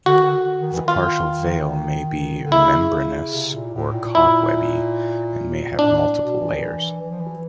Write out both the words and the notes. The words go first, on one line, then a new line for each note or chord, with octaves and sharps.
The partial veil may be membranous or cobwebby, and may have multiple layers.
D3 F#4
D#3
D3
D#3
E3
D#3 F4
D3
C#3 E4
C#3
C3
A#2
A2
A#2
E4
A2 D4
B2
E3
D#3
E3
E3
F3
E3